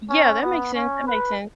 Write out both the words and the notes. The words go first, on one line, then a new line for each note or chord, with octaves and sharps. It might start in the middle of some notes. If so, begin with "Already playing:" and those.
Yeah, that makes sense, that makes sense.
C#4
B3
C#4
B4